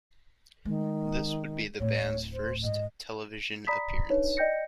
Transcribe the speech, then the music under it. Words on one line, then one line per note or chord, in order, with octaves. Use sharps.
This would be the band's first television appearance.
D#3 G#3
D1 A2 C#5
C5
G#2 D#5
D5 A#5 B5 D#6 B6
D4 D#4 B4 C#5
D5 D#5 G5 G6 A#6 C#7